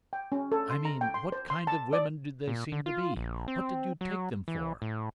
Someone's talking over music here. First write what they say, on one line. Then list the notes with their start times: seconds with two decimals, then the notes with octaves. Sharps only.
"I mean what kind of women did they seem to be; what did you take them for?"
0.13 G5
0.32 C#4
0.52 A4
0.70 C6
0.85 A#5
1.01 G5
1.14 C6
1.32 C5
1.50 C6
1.67 A5
1.93 D5
2.48 A#2
2.72 D3
2.86 F4
3.16 A#1
3.48 C4
4.01 F#3
4.48 E3
4.82 A2